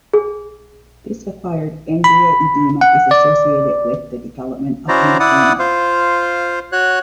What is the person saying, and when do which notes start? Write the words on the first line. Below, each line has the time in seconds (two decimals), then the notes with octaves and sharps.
This acquired angioedema is associated with the development of lymphoma.
0.14 G#4
2.04 B5
2.81 F#5
3.11 D5
4.88 C#4 E4 F#4 C5 D5 A#5
5.20 E4 D5 F#5 D#6
5.59 F4 C5 F5
6.72 F#4 C#5 F#6